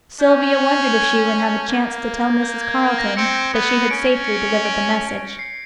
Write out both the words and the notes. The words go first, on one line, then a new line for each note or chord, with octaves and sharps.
Sylvia wondered if she would have a chance to tell Mrs. Carleton that she had safely delivered the message.
C#4 G6
G#6
A#3
G6
G#6
G#6
A#6
C4 C#7
B3
C#7
C#4 D7
D7
C7